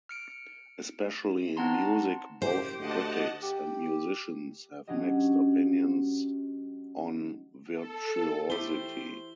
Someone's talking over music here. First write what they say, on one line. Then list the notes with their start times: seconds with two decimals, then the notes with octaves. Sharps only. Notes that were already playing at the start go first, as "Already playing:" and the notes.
Especially in music, both critics and musicians have mixed opinions on virtuosity.
0.09 F6 C#7 D7
1.57 C4 D#4 F#5 A5 A#5 C6
2.42 F#1 G4 C5
2.79 D2 D#5 F#5 A5
3.43 G4
4.87 F#3 C#4 D4 F#4 G4 D#5
7.73 A4
8.50 A3 E4 G4 C5 G7